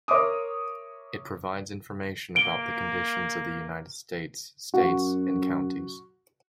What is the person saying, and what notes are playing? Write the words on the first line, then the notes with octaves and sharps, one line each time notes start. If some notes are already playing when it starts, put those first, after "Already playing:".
It provides information about the conditions of the United States, states, and counties.
A#4 C#5 E5 C6 D6 D#6
A#3 D7 G7
F#2 F#4